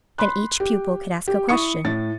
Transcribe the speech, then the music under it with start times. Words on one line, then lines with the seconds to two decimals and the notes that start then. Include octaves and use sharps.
Then each pupil could ask a question.
0.18 B5 C6 F#6
0.60 G4
1.28 G4
1.49 E4 C#6 D#6 C#7
1.85 A2 A6